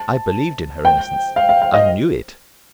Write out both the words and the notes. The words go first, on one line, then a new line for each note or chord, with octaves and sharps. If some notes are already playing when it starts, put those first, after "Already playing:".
I believed in her innocence; I knew it.
Already playing: A5
G5
F5
F5
F5
D#5